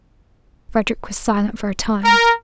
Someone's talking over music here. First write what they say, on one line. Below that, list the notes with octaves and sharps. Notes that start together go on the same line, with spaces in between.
Frederick was silent for a time.
A#4